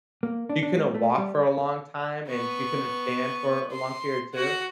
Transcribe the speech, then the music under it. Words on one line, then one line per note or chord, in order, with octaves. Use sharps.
she couldn't walk for a long time, and she couldn't stand for a long period too,
A#3
D4
D4
G#3
A3
G3
B3 C#6
C6
F#4 F#5